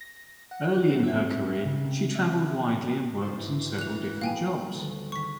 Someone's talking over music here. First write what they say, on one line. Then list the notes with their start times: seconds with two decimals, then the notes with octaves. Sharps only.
Early in her career, she traveled widely and worked in several different jobs.
0.01 A#6
0.51 F#5
0.89 C4
1.03 E5
1.66 C#3
1.86 C3
2.15 E5
3.22 C5 A6 B6
3.37 G#1 E3 C6
3.79 F#6 F7
4.21 G3 G#3 B3 F5 G5 G#5
4.74 D2 D#3 A3
5.12 D#3 G#3 C#6 B6